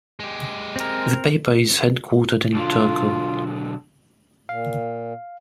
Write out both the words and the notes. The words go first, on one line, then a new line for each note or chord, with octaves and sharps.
The paper is headquartered in Turku.
G#3 G4
C4 A#4
B1 D3 F4
A#2 F5